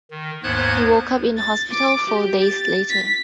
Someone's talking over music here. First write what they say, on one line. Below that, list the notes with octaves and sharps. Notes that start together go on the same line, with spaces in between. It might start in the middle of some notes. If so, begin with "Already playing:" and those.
He woke up in hospital four days later.
D#3
D#2 G#2 B3 C5 F#6 G#6
A6
D6
G4
A6
B6